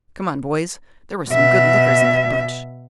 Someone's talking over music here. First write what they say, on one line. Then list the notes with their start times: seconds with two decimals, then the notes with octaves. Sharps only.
"Come on, boys--there were some good lookers in that bunch."
1.30 B2 E5